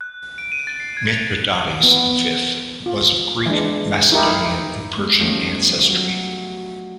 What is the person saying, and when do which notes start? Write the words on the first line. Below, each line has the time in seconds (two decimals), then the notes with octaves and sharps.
Mithridates the Fifth was of Greek Macedonian and Persian ancestry.
0.01 F#6
0.38 D7
0.52 D#7
0.67 A6
0.80 C7
0.97 G#6
1.12 F7
1.80 E3 B3
2.86 F4
3.46 E3 G#3 D4
4.12 D#4 E4 G4 A#4
4.96 G#3 B3
5.19 G2 D#3 F3 A3 C#4 D#4
5.87 F#3 D6